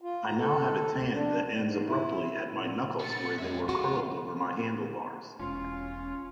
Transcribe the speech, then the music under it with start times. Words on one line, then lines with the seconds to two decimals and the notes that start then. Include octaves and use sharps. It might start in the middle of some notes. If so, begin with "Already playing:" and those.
I now have a tan that ends abruptly at my knuckles where they were curled over my handlebars.
0.02 F4
0.26 A#5
0.38 A4
0.93 D2
1.12 D4
1.55 G#2
1.85 E4
2.29 E4
2.49 A#2
3.00 A#2 F#4 A6 C#7
3.39 F2 G#3 C#5 E5
3.69 F4 F#4
5.39 E1 C#4 F4